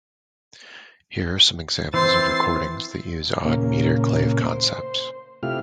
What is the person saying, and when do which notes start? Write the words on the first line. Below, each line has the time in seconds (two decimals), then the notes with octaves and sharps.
Here are some examples of recordings that use odd meter clave concepts.
1.94 E3 C4 C5 A6 C7
3.45 A#2 C#3 A#3
4.42 C5
5.43 C3 A3 E4 F4 G4 F6